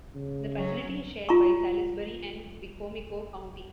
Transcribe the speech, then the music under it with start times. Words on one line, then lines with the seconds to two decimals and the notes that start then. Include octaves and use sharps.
The facility is shared by Salisbury and Wicomico County.
0.15 C#3
0.55 F#3 C#4
1.29 F4 A#5 C#6